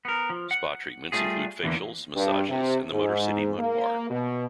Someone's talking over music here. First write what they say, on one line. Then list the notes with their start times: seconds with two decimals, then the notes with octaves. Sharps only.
Spa treatments include facials, massages, and the MotorCity Mud Bar.
0.05 B3 A#4
0.30 F3
0.51 F#5
1.12 G3 A3 C4 F4 G#4
1.63 E2 D3 E3 G#3 A#3
2.15 G2
2.49 C3
2.93 G#2
3.59 A#3
4.10 B2